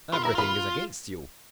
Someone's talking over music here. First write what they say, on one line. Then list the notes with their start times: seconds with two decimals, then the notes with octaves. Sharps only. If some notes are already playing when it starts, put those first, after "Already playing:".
Everything is against you.
0.13 F4 B5
0.23 E4 A#5
0.35 F4 B5